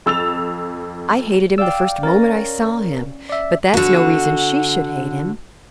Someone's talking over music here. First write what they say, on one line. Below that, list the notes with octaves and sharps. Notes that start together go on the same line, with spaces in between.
I hated him the first moment I saw him; but that's no reason she should hate him.
F2 E6 A6 F7
D5 F5 G5 E6
C#4 A#4 A6 A#6
D5 E5
D3 F#4